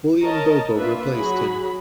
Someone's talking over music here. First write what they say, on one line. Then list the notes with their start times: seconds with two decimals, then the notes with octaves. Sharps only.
William Bobo replaced him.
0.23 A#4 C#5 D#5 A5 A#5
0.76 A#3 D4 F4 B4 E5
1.13 F#3 F#4 G#4 B5